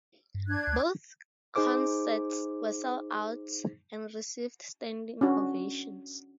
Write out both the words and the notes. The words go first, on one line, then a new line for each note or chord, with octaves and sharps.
Both concerts were sell-outs and received standing ovations.
G2
D4 F#6 G#6
D2
D#4 G#4 C5 D6
C#4 D4 F#4